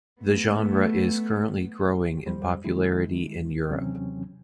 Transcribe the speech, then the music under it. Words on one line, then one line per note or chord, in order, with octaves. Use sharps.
The genre is currently growing in popularity in Europe.
A3 B3
F2 G3 C5
D#3 G#3 E4
D#2 C3 E3 F#3 C4 C#4